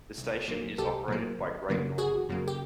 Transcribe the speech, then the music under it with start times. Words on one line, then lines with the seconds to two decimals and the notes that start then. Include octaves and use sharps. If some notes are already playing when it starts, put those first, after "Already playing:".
The station is operated by Great Northern.
0.18 C2
0.48 A#2 F#3 A#3
0.78 C2 G4 A4
1.08 A#2 F#3 A#3
1.39 G1
1.69 F#2 C#3 F#3 A#3
1.98 G1 F#4 G#4
2.29 F#2 C#3 F#3 A#3
2.48 G4